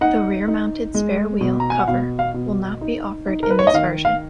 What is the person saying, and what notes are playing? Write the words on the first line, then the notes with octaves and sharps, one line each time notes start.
The rear-mounted spare wheel cover will not be offered in this version.
D#4 F#5
D#4
G#3
B2
A#5
G#5
F#5
B2 F5
F5
B2
D#4
D#4
A#4
B4
C#5
D#5
D#3 F5
F5